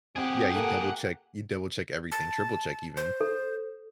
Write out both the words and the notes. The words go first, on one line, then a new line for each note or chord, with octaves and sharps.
Yeah, you double check you double check everything, triple check even.
C4 G4 G#4 F#5
A#3 A4 F#5
A5
C5
A4